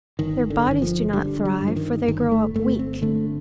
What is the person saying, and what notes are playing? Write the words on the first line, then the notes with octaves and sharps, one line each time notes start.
Their bodies do not thrive; for they grow up weak.
G1 D#3
D3
G1 D#3
F3
D3 G3
G3
G2
F3
D#3
G1 D#3
A3
G1 A3
C4
D3 A3